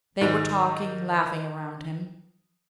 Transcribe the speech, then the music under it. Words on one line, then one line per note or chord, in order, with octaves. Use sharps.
They were talking, laughing around him.
G#2 D#3